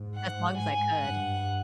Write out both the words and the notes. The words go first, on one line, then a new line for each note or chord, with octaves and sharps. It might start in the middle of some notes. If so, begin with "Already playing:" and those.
as long as I could.
Already playing: G#2
F#5
G#5
G2 F#5